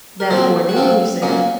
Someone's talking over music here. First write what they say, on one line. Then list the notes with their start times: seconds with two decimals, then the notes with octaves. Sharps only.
That morning, he said.
0.20 A#4
0.31 A#2 F#3 C4 A4 C5
0.69 F#4
0.76 A#2 F#3 C4 F4 A4
1.22 A#2 F#3 A#3 C#4